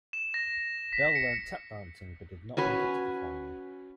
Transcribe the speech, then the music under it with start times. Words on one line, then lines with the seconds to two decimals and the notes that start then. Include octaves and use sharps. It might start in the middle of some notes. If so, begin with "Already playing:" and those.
Bell learnt tap dancing but did not make it to the final.
0.13 E7
0.34 A#6
0.93 B6
1.15 C#7
2.57 C#4 F#4 B4 G#5